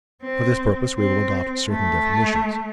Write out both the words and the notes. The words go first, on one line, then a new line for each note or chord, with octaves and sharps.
For this purpose we will adopt certain definitions.
C4
C4
A3